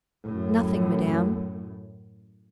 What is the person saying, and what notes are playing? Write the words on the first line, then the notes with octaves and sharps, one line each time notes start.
"Nothing, Madame."
F#2 A2